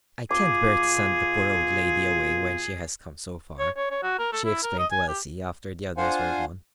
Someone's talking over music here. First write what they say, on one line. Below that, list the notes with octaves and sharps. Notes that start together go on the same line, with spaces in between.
"I can't bear to send the poor old lady away when she has come so far," she explained to Elsie, after the others were gone.
B2 F4 G#4 D6
C#5
C#5
C#5
F#4
A#4
A4
E4
A#4
D#5
G#5
G4
D4 F4 C5 F5 F#5 G#5